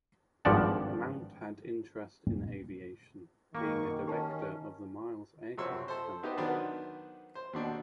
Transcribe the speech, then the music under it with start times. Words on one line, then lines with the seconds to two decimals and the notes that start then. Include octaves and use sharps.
Mount had interest in aviation, being a director of the Miles Aircraft Company.
0.45 G#1 G2 F3 D5 F#5 A5
3.55 F#2 B2 D#3 A#3 C#6
4.07 C#4 G4 A5
5.58 F#2 C3 F3 C#5 E6
5.88 A4 C5
6.23 B3 D#4 G4 B4 C5
6.37 D#3 F#3 B3 D4 B4 C5
7.35 C5
7.53 D#2 B2 D4